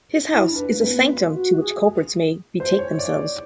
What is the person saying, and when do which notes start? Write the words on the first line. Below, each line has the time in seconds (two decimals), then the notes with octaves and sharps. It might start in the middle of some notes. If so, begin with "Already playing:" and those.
His house is a sanctum to which culprits may betake themselves.
0.30 E4
0.49 D4
0.56 B4
0.68 A#3
0.79 C4 B4
0.87 B3
1.07 F4
1.32 F#4
1.58 G#4
2.60 C5
2.79 C#5
2.99 D5